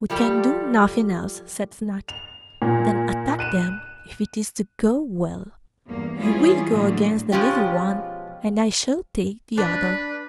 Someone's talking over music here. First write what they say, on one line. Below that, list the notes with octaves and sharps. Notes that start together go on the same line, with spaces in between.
'We can do nothing else,' said Snati, 'than attack them, if it is to go well; you will go against the little one, and I shall take the other.'
F3 G3 G4 A4
F7
A#2
F#6 D#7 E7
E2 G2 A#3
E3 G3 C#4 E4 F4 G#4
A2 D3 F#3 A3 A#3
B2 F3 G#3 C#4 F4 G4
D4 B4